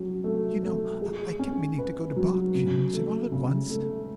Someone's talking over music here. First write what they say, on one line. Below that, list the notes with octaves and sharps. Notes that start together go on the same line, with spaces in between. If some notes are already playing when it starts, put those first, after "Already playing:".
"You know, I kept meaning to go to Botkin's, and all at once...."
Already playing: F#3 C#4
A3
A3
G#4
C#4
B4
F#3
C#3
A3
C#3
A3